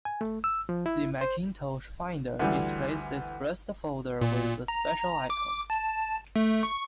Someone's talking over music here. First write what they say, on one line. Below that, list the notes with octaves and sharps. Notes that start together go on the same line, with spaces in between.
The Macintosh Finder displays this "blessed" folder with a special icon.
G#5
A3
E6
F3
E4
C5
D2 E3 G3
A#2
A#5
D6
A5
A3
C#6